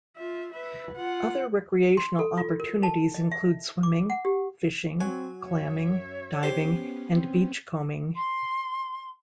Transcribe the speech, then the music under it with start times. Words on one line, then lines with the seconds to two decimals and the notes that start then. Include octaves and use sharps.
Other recreational opportunities include swimming, fishing, clamming, diving, and beachcombing.
0.17 F4 E5
0.53 B4 E5
0.96 F4 F#5
1.97 C6
2.19 A4
2.37 F4
2.60 A#4
2.83 A5
3.14 D#5
3.31 E5
3.83 D6
4.10 F#5
4.25 G4
5.01 F#3 C4 G#5
5.43 F#2 C#5 E5
6.43 B3 C#4 G4 C5
7.11 C4
8.16 C6